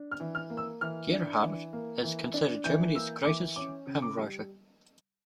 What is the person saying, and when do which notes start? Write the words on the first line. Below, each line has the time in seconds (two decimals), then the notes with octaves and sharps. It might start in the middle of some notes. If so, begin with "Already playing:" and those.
Gerhardt is considered Germany's greatest hymn writer.
Already playing: D4
0.11 F6
0.20 E3
0.35 F6
0.50 A#3
0.57 E6
0.81 E3 F6
1.12 D4
1.42 E3
1.73 A#3
2.04 E3
2.34 D4
2.64 E3 G6
2.95 A#3 E6
3.25 E3 D6
3.56 C#4 D6
3.87 C#3
4.02 D6
4.18 G3